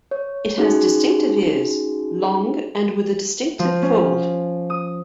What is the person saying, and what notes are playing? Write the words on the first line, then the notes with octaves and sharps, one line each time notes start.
It has distinctive ears, long and with a distinctive fold.
C#5
C#4 D#4 F#4 G#4
F3
C#4
D#6